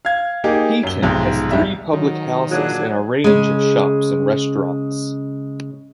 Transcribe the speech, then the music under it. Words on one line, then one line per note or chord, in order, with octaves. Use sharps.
Heaton has three public houses and a range of shops and restaurants.
F5 G#6
A#3 D#4 G4 G#4
F#2 G7
B1 G#2 C3 F3
E1 G#2 G3 E5
D#3 F#3
A#2 F#3 D4 G#4 F#6
C#3 G#3